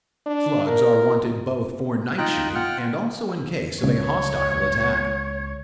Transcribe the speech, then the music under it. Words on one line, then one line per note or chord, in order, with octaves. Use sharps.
Slugs are wanted both for night-shooting and also in case of a hostile attack.
D4
A#4
D#4 F4 G5 A#5 F#6
F4 F#5 G5 F6 F#6
C#2 C#5